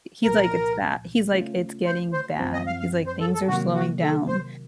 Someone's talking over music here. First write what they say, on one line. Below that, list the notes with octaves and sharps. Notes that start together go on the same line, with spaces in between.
he he's like, "It's bad" he's, like, "It's getting bad," he's, like, "Things are slowing down,
C2 A#2 F3 A#4
C#3 A3 C#4 F4
C5
C5
F#2 F3 C4
D#5
F5
F5
C5
A4
A4
C3 D#3 F#3 A#3 F#4
F#4
A4
C5